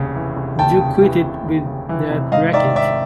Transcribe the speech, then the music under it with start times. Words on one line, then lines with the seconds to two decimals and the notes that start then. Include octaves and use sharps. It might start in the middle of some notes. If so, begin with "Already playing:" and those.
Would you quit it with that racket!
Already playing: F1 D#2 C#3
0.16 E3
0.37 F1
0.59 D#2 G5 A5
0.80 C#3
1.02 E3
1.24 F1
1.46 D#2
1.67 C#3
1.89 E3
2.11 F1
2.32 G#2 D#5 F5
2.53 D#3 D5 E5
2.75 G#1 D5 E5